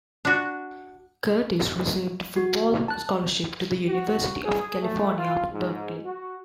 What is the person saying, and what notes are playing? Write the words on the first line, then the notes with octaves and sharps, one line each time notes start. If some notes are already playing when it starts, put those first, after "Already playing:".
Curtis received a football scholarship to the University of California, Berkeley.
D4 F#4
F#4
A5 F#6
F#4
G#4
A3
F4
G#2
F#4